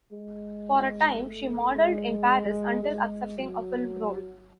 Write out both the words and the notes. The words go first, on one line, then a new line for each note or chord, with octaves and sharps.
For a time she modeled in Paris until accepting a film role.
G#3
A3
G#3
G#3
F#3